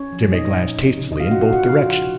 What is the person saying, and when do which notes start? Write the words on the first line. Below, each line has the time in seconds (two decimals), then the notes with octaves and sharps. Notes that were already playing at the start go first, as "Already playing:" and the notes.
Jimmy glanced hastily in both directions.
Already playing: C#4 C#5
0.13 F3
0.33 A#2 D#4 D#5
0.55 A#2
0.77 D#4
0.99 C#3
1.12 D#5
1.20 D#4 F4 F5
1.31 F#4 F#5
1.41 C3 F4 F5
1.52 F#4 F#5
1.63 D#4 F4 F5
1.85 F3